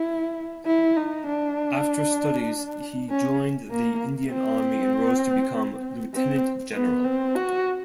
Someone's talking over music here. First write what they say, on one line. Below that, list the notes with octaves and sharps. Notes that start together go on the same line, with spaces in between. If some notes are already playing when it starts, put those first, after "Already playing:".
After studies he joined the Indian Army and rose to become Lieutenant General.
Already playing: E4
E4
D#4
D4
C#4
A#3
C4
C4
B3
C4
F#4